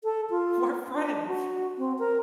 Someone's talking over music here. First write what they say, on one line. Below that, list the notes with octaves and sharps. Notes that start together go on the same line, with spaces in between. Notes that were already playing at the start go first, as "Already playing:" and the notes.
We're friends.
A4
F4
D4
F#4
C4
A#4